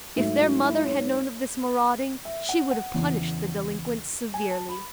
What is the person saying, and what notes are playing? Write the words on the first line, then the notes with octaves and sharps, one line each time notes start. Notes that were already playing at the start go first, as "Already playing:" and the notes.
If their mother had known of this marauding, she would have punished the delinquents severely.
G#2 F#3 A3 E5
F#4
E4
C#5
E5
F#5
F#5
E2 C#3 E3
G#5
A5
B5